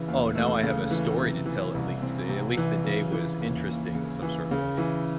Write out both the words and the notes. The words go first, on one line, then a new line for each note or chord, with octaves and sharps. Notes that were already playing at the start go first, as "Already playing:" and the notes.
"Oh, now I have a story to tell at least. Uh, at least the day was interesting in some sort of way."
Already playing: C#3 E3
D#2
A3
C#3
E3
C3
E3
C2
C4
C3
E3
C#3
E3
D#2
D#2
C#3
E3
C#3
E3